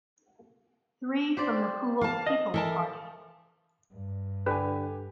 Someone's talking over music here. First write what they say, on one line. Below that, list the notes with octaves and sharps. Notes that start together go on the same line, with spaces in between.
Three from the Poole People Party.
G4 C5 D5
F5 A5
D#5
E3 A4 A#4 A5
G2
D3 G4 B4 G#5